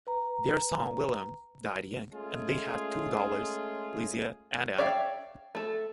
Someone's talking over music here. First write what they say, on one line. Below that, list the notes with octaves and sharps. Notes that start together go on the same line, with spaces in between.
Their son William died young, and they had two daughters, Louisa and Anna.
B4 A#5
G#3 A3 C#4 F4 G#4
C#5 D5 E5 F5 G5
A3 A4